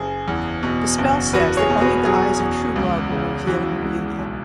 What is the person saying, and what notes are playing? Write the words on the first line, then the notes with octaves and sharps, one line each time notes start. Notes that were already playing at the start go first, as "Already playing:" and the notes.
The spell says that only the eyes of true love will reveal her beauty.
Already playing: F#1 G#4
E2
B2
F#1
E2 F#4 B4
G#4 C#5
B2
F#4 B4
F#3 G#4
E2
C#2
C#3
E3 F#4
C#2
B1